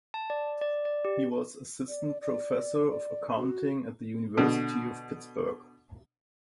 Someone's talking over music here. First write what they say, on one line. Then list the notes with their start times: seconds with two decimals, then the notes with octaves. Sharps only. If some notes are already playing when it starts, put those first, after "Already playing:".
He was assistant professor of accounting at the University of Pittsburgh.
0.14 A5
0.30 D5
0.61 D5
0.85 D5
1.05 G4
1.88 D5
2.21 D5
2.91 D5
3.37 F#4
4.38 B2 D3